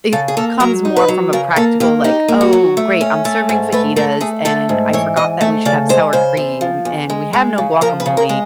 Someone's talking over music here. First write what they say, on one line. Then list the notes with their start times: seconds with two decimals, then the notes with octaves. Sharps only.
it comes more from a practical, like, "Oh, great. I'm serving fajitas, and I forgot that we should have sour cream, and we have no guacamole.
0.13 C#3 A4
0.28 G#4
0.37 A#3 A4
0.60 F#3 A#4
0.85 D#4
0.97 B4
1.08 F#3
1.33 C#3 A#4
1.56 A#3 A4
1.80 A#3 G4
2.04 D#4 G4
2.28 A#3
2.41 F#4
2.53 F#3
2.77 A3
3.01 C#4
3.25 A3
3.49 G#2 G#4
3.72 A3 B4
3.96 A3 A#4
4.21 A3 G#4
4.45 A3 A4
4.69 G#2
4.93 E3 C#5
5.16 G#2 D#5
5.41 A3 E5
5.65 C#3 D5
5.89 G#3 C5
6.13 C#3 C5
6.37 E2
6.61 F3
6.85 E2
7.10 G#3
7.33 G#3
7.58 C#3
7.81 F3 A#4
8.00 B4
8.06 C#3
8.17 A#4
8.29 G#3